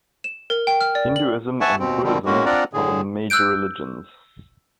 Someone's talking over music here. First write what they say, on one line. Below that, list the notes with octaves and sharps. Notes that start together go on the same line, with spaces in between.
Hinduism and Buddhism are the major religions.
E7
A#4
G5
F6
D5
F#7
E5 F#5 G#5 A5 C#6
D#2 B2 C4
B2 D3 D#3 F3 G3 C4
A2 G#3 A#3 C#4 F#4
C4 D4 F4 D5 F#5 A#5
A2 D3 G#4
E6 F#6 G6 D7